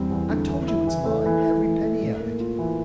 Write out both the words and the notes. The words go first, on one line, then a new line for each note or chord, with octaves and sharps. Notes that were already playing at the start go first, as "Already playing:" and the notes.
"I've told you it's mine, every penny of it!"
Already playing: E2 G3 C4
E2
D3
E3
E4
E3
A3
E3
E4
E3
A3
A2
A#3
F4
E3